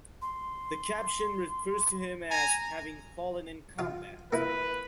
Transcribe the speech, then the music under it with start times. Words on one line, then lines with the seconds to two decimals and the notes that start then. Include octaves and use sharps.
The caption refers to him as having "fallen in combat".
0.22 C6
2.31 G#5 A#5
3.79 F4 F5
4.33 A#3 E4 B4